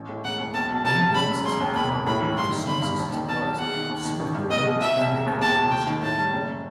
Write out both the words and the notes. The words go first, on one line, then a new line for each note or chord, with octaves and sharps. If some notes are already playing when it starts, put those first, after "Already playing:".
Many businesses in Carberry offer services and supplies to support the robust agriculture industry.
Already playing: A1
A2
E1 F#5
D#2
B1 A5
B2
C2 A5
C3
F#1 B5
F#2
E1 C6
D#2
E1 B5
D#2
A2 B5
E3
G2 C6
D#3
G1 B5
G2
D#2
D#3
B1 A5
B2
E2 F#5
D#3
D#2
D#3
A1
G2
B1 D#5
B2
C2 E5
C3
E1
D#2
E2 A5
B2
D#2 G5
D#3
A2 A5
G3
F#1